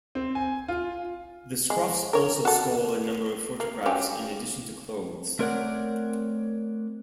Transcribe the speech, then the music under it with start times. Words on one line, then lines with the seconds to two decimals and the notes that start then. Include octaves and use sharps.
The scruffs also stole a number of photographs in addition to clothes.
0.15 C4
0.35 G#5
0.68 F4
1.70 G#3
2.13 A#4 C#5
2.45 F#4 A4
3.60 A#3
3.86 F#3 C#4 G4
5.39 A3 C4 A#4 C#5 D5 F#5